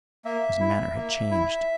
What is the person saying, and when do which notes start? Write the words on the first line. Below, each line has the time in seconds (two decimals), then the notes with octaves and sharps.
His manner had changed.
0.25 A#3 E5
0.60 E4
0.95 A#3
1.31 E4